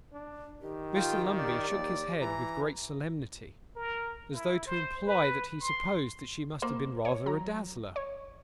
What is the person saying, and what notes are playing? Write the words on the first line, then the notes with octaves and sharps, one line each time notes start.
Mr Lumbey shook his head with great solemnity, as though to imply that he supposed she must have been rather a dazzler.
D4
D#3 G4
F4 G5
D5
D#2
E3 A#5
A#4
E4
C5
B4
C6
A#3 C5
C#5
F#3 A#5
C#5